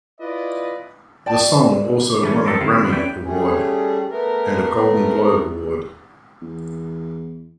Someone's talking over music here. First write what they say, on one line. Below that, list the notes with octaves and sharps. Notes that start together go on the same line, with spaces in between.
The song also won a Grammy award and a Golden Globe award.
E4 F4 B4 D5 D#5
D5 G5 A5
E3 A3 C#4
C4 G4 A4 A#4
D#3 C4 E4 F4 C5
C#4 E4 B4 D5 G5
G3 A3 C#4 G#4
A3 B3 A#4
E2